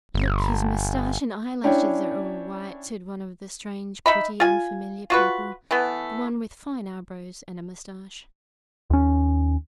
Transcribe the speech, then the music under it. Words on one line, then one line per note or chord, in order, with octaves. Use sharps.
"Look, his mustache and eyelashes are all white!" said one of the strange, pretty, unfamiliar people--the one with fine eyebrows and mustache.
G1
C#4 D4 E4 C#5 G5
D#4 E5 B5
F4 G#5
F4 F#4 B4
E3 A3 B3
D#2 C#4